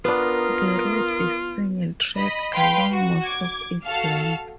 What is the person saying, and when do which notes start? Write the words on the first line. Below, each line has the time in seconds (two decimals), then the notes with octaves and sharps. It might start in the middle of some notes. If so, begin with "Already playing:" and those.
The road is single track along most of its length.
0.05 B3 D4 F4 A#4 D#6
2.16 D#5 B5
2.54 B4 F5 G5 B5 C6
2.92 F#4
3.25 D6 G#6
3.84 F#4 A4 F5 F6